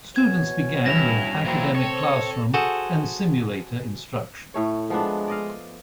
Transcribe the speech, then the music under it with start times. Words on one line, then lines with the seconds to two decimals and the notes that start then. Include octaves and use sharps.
Students began with academic classroom and simulator instruction.
0.16 B2 B3 C#4 G#6
0.86 G2 E4 A#6 E7 F7
1.45 A#2 E3 F#3 A#3 C4 E4
1.75 C4 A4 C#5
2.54 F#4 G#4 A4 C5
4.54 A2 A3 C#5
4.90 F3 G#3 B3 D4
5.28 D5 D#5 F5